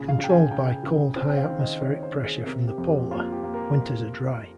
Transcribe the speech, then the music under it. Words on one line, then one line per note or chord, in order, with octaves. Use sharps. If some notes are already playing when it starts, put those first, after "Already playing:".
Controlled by cold high atmospheric pressure from the polar, winters are dry.
Already playing: A#2 C#3
F5
C#3
G5
G#5
C#3 G5
C#3
C4
G5
F5
D#3
D#5
C4 C#5
C5
C4
G#4
C3 A#4
G4
F2
G4
A#3 F4
G4
A#3
A#4